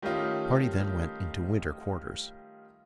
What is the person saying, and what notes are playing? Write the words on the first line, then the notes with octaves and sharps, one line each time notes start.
The party then went into Winter Quarters.
D#3 G3 A3 C#4 D#4 F4